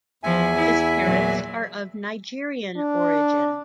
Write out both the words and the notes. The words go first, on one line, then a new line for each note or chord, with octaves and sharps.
His parents are of Nigerian origin.
E2 F3 E5 G#5
E4
A#2 F#3
D4